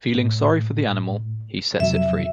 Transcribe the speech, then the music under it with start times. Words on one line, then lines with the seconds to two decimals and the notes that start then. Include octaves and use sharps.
Feeling sorry for the animal, he sets it free.
0.15 A2
1.80 F2 C3 F#3 E5